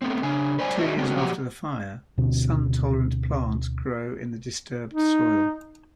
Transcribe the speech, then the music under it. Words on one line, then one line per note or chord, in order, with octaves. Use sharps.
Two years after the fire, sun tolerant plants grow in the disturbed soil.
A3 B3 C4
C#3 D4 G#5
B4 C5 D5 G#5
D4 D#4 F#4 G#4 D#5 E5
G#3 B3 C4 D4 F#4
A#2 F3 F#3 G4 F#5
D2 B2 D3 C4
D#4